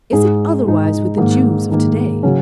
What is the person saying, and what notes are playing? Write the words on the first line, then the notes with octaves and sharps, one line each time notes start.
Is it otherwise with the Jews of to-day?
G#2 G#3 D#4 G#4
G#2 G#3 D#4 G#4
G#2 D#3 A#3
G#2 D#3 A#3
C#3 F#3 C#4